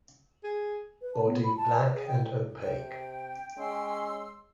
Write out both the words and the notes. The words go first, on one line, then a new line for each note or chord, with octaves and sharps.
Body black and opaque.
G#4
B4
A5
B3
B5
A5
B4
G#4
G5
C3 G5
G#3 C#4 C6 E6